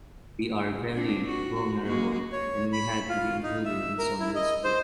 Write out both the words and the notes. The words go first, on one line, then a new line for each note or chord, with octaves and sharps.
We are very vulnerable and we had to be included in some risk group.
C4 D4
F#4
G#3 A#3 F#4
C#5
B5
F4
D#4
E5
A#4
E4
D#5
C5